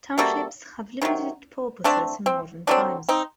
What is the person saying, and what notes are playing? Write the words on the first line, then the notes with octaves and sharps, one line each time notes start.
Townships have limited purposes in modern times.
C3 G3 A#3 F#4 A4
C3 D#3 F#3
D3 A3 C4 D4
C4
D3 F#3 C4 D4
C4 D#4